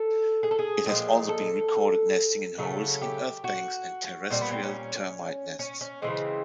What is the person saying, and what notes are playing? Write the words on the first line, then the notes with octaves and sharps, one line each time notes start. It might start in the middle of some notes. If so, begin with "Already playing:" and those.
It has also been recorded nesting in holes in earth-banks and terrestrial termite-nests.
Already playing: A4
G#4
A4
G#4
A#2 F3 G#3 G4
A4
C#3 F#3 A3
G4
F#4
A#2 G3 C4
B3
C4
C#4
C#4
C#4
C#3 E3 G#3 C4